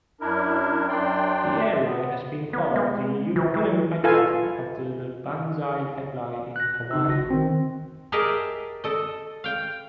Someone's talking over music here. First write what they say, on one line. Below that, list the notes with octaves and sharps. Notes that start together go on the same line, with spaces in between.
The area has been called the "European Pipeline", after the Banzai Pipeline in Hawaii.
F#2 D4 E4 A#4
F#2 D4 D5 G5 C6
B3
B3
G#3
E3
E3
F4 A4 B4 F5 G#5
F#6 A#6
C#3 D#4 E6
G#1 F#4 A#6
D#3 C4
G4 G#4 A#4 D#5 E5 A5
A4 D#5
F5 G5